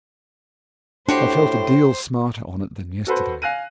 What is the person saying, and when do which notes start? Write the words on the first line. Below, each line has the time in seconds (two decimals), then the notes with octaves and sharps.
I felt a deal smarter on it than yesterday.
1.09 A2 D4 F#4 G4 C5 C6
3.07 F#4 A4 B4 C5
3.42 F5 G#5 F#6 A#6 D#7